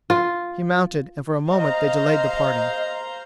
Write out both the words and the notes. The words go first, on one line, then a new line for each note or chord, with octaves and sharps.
He mounted and for a moment they delayed the parting.
F4
C5 D#5 F5 A#5